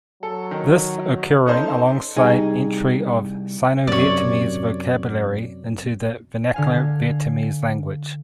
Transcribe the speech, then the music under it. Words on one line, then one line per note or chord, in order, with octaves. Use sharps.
This occurring alongside entry of Sino-Vietnamese vocabulary into the vernacular Vietnamese language.
F#3 A4
D#3
C#4 D#4 A4 C5
C2 D#4 G#4
F#2 C3 C#5 D5
D3 F5 G#5